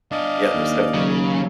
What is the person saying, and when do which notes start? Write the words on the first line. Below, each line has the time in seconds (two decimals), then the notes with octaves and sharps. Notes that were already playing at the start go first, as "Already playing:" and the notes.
Yeah, there's definitely
0.11 D4 D5 D#5 F5 G#5
0.54 D#2
0.94 C#3 F#3